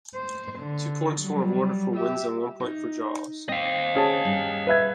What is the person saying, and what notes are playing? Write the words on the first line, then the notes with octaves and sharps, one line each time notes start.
Two points were awarded for wins and one point for draws.
C5
D3
F#3 G3
G4 E5
D#4
C4 D#5 F5
C#4 G#4 A5
G2
B4 E5 G#6